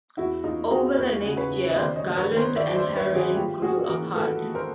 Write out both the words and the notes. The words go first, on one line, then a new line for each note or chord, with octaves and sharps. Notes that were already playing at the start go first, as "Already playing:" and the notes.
Over the next year Garland and Herrin grew apart.
E2 E4 F#4
E2 D#4 F4
E2 F#4 G#4
E2 B4 C#5
C#3
B4 C#5
C#3
D#5
D#3 C5 D5
C#5 D#5
G2
B4 C#5
D#3
A#4 C5
D#3 D5 E5
C5 D5
G2
B4 C#5
D#3
F#4 G#4
G#2 F4 G4
G#2 F#4 G#4
E3 G#4 A#4
G#2 A4 B4
G#2
A#4 C5